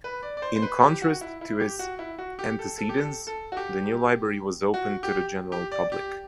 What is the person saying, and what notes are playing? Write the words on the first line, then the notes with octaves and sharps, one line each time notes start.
In contrast to its antecedents, the new library was open to the general public.
B4
D5
D5
C5
C5
B4
G4
F#4
E4
E4
G4
F#4
E4
F#4
G4
A4
A4
G4
A4
A4
F#4
G4
F#4
G4
G4
D5
G4